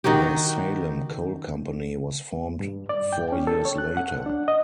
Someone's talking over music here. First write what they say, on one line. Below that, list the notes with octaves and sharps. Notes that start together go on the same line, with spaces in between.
The Salem Coal Company was formed four years later.
D#3 D#4 F#4 G4
G2
D5
G5
C#4
A4
C#5
F#6
F#5
D4
D#5